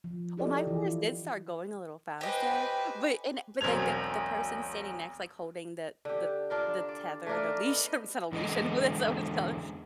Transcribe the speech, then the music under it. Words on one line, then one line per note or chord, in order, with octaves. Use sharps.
Well, my horse did start going a little faster, but and but, like, the the person standing next, like, holding the the the tether the leash, I mean it's not a leash. And who that's what it's called.
F3
E4 F4 G4 A4 D5 D#5
E3 E4 F4
G4 B4 C5 D#5 G5 G#5
E1 B1 C4 G#6 F7
D3 G4
D4 F4 A#4
D5
A3 A#3 D4 A#4
B3 D#5
E2 D3 G#3 D#5